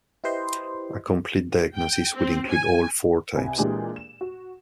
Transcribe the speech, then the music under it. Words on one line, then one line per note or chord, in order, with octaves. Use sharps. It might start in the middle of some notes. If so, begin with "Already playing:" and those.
A complete diagnosis would include all four types.
E4 G4 B4 C5 D#5 C6
G5
C4
G#5
C2 G#5
A#2 E3 G#3 D4 G4 G#4
E7
F#4